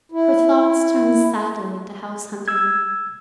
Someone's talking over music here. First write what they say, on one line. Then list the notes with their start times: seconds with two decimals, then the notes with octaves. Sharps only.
Her thoughts turned sadly to house-hunting.
0.12 E4
2.48 E6 G#6